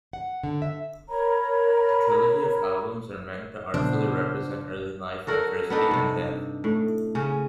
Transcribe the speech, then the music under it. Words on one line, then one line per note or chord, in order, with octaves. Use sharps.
The trilogy of albums are meant to artfully represent early life, adversity, and death.
F#5
D3
E5
A#4 C#5 A#5 B5
A#1 C#3 F3 G3 B3 D4 C5
F#4 A4 A#4 F#5
B3 D4 D#4 A4
G2 C3
A2
C#3 C#4